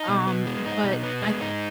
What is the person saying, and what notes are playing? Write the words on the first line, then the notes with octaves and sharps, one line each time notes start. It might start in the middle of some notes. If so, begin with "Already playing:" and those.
um, but I
Already playing: D#4
B2
B3
G#3
D#4
B2
B3
G#3
D#4